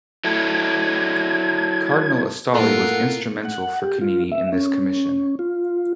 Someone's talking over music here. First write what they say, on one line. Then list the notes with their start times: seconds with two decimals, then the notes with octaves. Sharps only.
Cardinal Astalli was instrumental for Canini in this commission.
0.24 F#3 E4 A4 G#6
2.54 A2 A#3 F4 A4 A#4 F#5
3.45 F#5
3.82 G4
4.01 F4
4.32 E5
4.52 C#4
5.39 F4